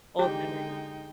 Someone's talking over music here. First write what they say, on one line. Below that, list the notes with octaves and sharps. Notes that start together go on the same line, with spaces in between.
old memories.
D3 G#3 D#4 G4 G5